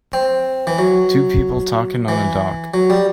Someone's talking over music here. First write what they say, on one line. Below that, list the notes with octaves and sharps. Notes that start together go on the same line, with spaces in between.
Two people talking on a dock.
C4
E3
F#3
E3
F#3
G3